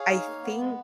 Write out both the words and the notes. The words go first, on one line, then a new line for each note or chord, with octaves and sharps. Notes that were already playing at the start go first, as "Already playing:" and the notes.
I think
Already playing: G#4 C#5 F5
D#4
A#3
B3
G#3